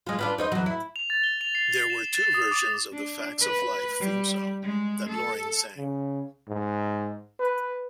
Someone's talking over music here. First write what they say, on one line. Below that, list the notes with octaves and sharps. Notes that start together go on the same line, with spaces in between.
There were two versions of the "Facts of Life" theme song that Loring sang.
G#3 F4
D4 F4 B4
D#4 C5 D#5
E2 F#3
E4
F7
A6
G7
F7
C7
C7
E7
A6
D#6
D6
D4
B4
G3
G#3
A4
C#3
G#2
B4